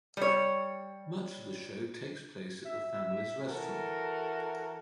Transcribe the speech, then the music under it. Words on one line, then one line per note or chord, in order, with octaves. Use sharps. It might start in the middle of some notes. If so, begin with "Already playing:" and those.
Much of the show takes place at the family's restaurant.
G3 C#5
E5
E3 F#4 A4 A#4